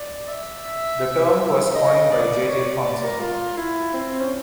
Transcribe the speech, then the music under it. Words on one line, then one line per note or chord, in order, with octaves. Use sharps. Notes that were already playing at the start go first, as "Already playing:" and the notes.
The term was coined by J. J. Thomson.
Already playing: D5
E5
D#5
D5
C#5
D5
D5
A#4
F4
E4
C4
C#4